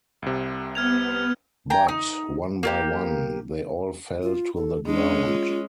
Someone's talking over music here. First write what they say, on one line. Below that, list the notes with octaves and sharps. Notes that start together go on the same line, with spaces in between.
But, one by one, they all fell to the ground.
C2 C3
B3 F6 G#6 F7
G5 G#5 A#5
D#4
A#3 F4 G4
F4
A4
G#3 C#4 D4
F4